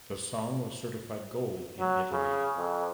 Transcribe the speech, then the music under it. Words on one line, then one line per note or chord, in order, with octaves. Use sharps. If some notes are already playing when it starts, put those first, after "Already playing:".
The song was certified gold in Italy.
F#3
C#3
F2